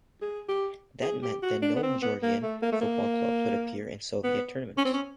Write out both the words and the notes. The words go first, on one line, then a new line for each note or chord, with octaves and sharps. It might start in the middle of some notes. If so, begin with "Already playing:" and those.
That meant that no Georgian football clubs would appear in Soviet tournaments.
G#4
G4
G#4
G4
F#4
D4
B3
C4
B3
A#3
A3
A#3
A3
A#3
B3
C#4
C4
C#4